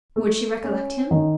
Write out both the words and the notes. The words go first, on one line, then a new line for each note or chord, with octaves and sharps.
Would she recollect him?
A3
C#4
D#3